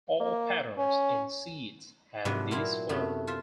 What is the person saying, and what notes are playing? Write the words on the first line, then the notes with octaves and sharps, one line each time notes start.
All patterns in Seeds have this form.
A#3
C#4
G#2 C3 F3 F#3 D4 B4
A#2 F#3 C4 E4 F5 A#5
F#2 C3 A3 B3
F4 C5 E5